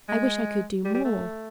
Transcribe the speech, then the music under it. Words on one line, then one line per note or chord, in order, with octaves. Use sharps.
'I wish I could do more.'
G#3
G3
G3
A3